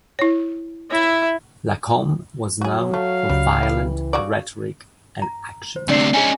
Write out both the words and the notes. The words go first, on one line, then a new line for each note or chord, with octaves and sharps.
Lacombe was known for violent rhetoric and action.
E4 C#5
E4 C#5 E5
F#3 F#4 G#4
A3 F5
C#2 G3
E3 G3
C#3 F#4 D5
A#5
C5
D2 C3 D4 D5 C7
C#4 D#4 G#4 G#5